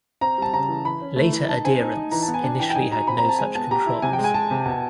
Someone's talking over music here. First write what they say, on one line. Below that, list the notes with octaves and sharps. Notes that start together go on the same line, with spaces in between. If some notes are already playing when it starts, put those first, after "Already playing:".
Later adherents initially had no such controls.
C4 A#5
G3 A5
C#3 A#5
E3
E3 B5
C#4
A3
E3
D#4 A5
C4 G#5
D#4
D#4
E3 A#5
A5
B3
G#5
D4 A5
E3 G5
G5
D#4 G#5
F#4 A#5
C4 B5
A#5
C4
A5
G#3 G#5
B3 A5
G4 A#5
E4
C3 G#5
G5
G#3
G#5
G#3 A5
C3
B2